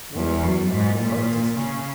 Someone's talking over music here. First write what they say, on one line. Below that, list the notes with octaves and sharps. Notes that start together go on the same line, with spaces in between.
One of whom I am about to speak.
E2
F#2
G#2
A#2
C#3